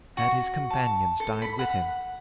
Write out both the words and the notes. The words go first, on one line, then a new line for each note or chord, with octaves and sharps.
Had his companions died with him?
F#4
A5
A4
B5
F#5